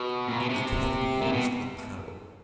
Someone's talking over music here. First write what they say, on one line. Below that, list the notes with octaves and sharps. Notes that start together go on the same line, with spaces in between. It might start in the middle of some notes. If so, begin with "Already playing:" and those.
They can be used with power.
Already playing: B2
A#2
B2
C3
A#2
B2